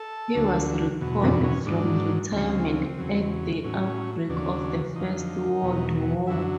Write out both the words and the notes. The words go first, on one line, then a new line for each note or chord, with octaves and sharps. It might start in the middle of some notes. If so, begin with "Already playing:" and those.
He was recalled from retirement at the outbreak of the First World War.
Already playing: A4
D2 D3 F#3
E2 B2 F#3
D4
C#4
G#2 D#3 F#3 D4
D2 C#3 F3 C4
E2 C#3 F#3
A2 F#3 C#4
D#2 C#3 F#3 D4
F2 D3 F3 D#4
E2 B2 F#3
F#2 D3 F#3 E4